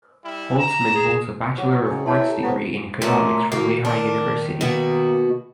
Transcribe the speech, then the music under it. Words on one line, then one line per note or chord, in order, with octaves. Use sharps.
Holtzman holds a Bachelor of Arts degree in Economics from Lehigh University.
G3 E4
A#5 E7
G#4
F#3 A#3
C#5 D5 C#6
C#3 G#4 D#5 G5
E4 C#5 A5 C6
G4 A4
B3 E4 C5 C#5 B5
A#2 A3 C#4 A#5
D#3 A#3 F#4
D#3 D4 A#4
B2 A#3 F#4